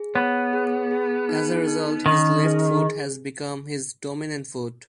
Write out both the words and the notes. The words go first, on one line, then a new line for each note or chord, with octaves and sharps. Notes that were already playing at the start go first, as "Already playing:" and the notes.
As a result, his left foot has become his dominant foot.
Already playing: G#4
B3 C#5
G#4
G#4
D#4
D#4
D#3 C#4
G#4